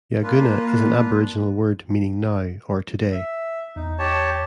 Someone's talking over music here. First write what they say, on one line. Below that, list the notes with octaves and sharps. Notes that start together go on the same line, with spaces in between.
Yagoona is an Aboriginal word meaning 'now' or 'today'.
A#3 D4 F4 B4
E5
E2 D#4
G4 C#5 A5